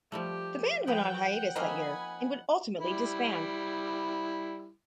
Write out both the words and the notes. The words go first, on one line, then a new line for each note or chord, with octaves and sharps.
The band went on hiatus that year, and would ultimately disband.
F3 G3 A3 G4
F3 G#4 B4 F#5 G5
F3 A#3 C4 D#4 G#5 B5
G3 E4